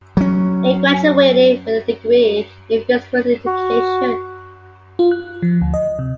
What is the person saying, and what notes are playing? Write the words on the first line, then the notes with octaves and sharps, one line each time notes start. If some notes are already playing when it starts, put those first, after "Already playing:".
He graduated with a degree in physical education.
F#3 C#4
F#4
F4
F#6
F3
D2
D#5
C3